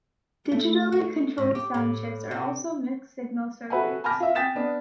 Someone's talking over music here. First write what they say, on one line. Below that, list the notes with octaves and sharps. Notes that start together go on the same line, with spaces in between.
Digitally controlled sound chips are also mixed-signal circuits.
A3
F#4
G#2
G4
A2
C3
F#4 A4 B4 E5 F#5 G#5
G#5 A5 B5 D6 F6 A#6
F4 E5
G5 G#5 D#6 A6 B6 E7
B3 D4